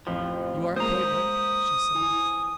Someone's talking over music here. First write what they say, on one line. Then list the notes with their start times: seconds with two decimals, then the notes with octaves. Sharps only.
'You are quite right,' she said.
0.07 A1 F2 F3
0.76 G#3 A#3 A#4 C5 A#5 D#6
1.95 E3 G#5